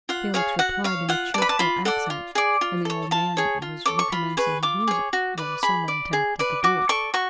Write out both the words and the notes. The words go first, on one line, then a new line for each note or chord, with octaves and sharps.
Felix replied in a cheerful accent, and the old man was recommencing his music when someone tapped at the door.
F4 F#5
G#4 C#5 F5
F#4 F#5
C#5 F5
F4 F#5
B4 D5 A5 B5
A5
F4 B5
A4 D5 F#5
F4
G#4 D5
F4
A4 C#5
F4 A5
G#4 C#5
F4
A4 C#5 D6
C#6
F4 B5
G#4 B4 C#6
F4 D6
G#4 C#5
F#4
B4 D5
G#4 B5
D5
G#4
B4 D5
F#4 D6
A4 D5 C#6
F#4 C#6